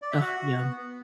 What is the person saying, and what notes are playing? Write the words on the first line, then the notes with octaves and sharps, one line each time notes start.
Ah, yum.
D5
E5
F#4 F#5
F#4
B3
B3